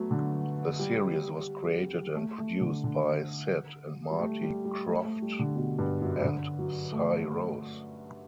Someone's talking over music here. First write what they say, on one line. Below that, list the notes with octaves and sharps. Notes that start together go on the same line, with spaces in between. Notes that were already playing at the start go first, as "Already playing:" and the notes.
The series was created and produced by Sid and Marty Krofft and Si Rose.
Already playing: F#3 A3 B3
D3
G3
A3
A3
D3
D3
G3
A3
G3
G3
A3
A3
G3
D3
B2
G2
F#2
D3
F#3
A3